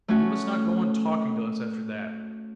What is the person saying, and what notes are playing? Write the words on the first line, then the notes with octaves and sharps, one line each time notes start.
You must not go on talking to us after that.
A3 C#4 F#4